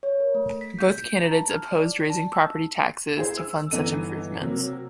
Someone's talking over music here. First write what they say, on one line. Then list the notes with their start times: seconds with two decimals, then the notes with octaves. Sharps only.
Both candidates opposed raising property taxes to fund such improvements.
0.03 C#5
0.20 A#4
0.35 A3
0.61 B6
0.79 G6
1.16 A#5
1.31 A5
1.51 F6
1.71 D5
2.10 A5
2.33 E6
3.17 E4 G#4 C5
3.37 E6
3.71 G1 E3 B3 D#4 A4 D#7
4.41 C3 F#3 A#3